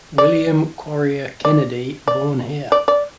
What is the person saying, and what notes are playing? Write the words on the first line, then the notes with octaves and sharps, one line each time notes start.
William Quarrier Kennedy born here.
D5
D5
D5
D5
D5